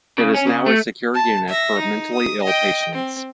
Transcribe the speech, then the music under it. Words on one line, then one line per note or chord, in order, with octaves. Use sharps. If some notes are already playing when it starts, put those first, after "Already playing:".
It is now a secure unit for mentally ill patients.
C#3
C#4
C#3
A3
A5
E5 A#6
D#4
D#6
D#5 G5
C4